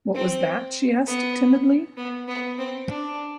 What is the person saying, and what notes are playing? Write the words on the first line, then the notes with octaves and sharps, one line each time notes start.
What was that? she asked, timidly.
C4
B3
B3
B3
C4
D4